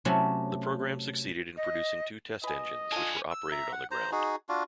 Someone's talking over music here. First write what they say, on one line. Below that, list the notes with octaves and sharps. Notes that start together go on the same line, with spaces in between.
The program succeeded in producing two test engines, which were operated on the ground.
C3 F#3 A3 C#4 F#4
D#5
B4 D#5 G#5
D4 F4 A4 G#5
E6
E5 A#5
F#5
C5 A#5
D#4 F#4 G#4
D4 F4 F#4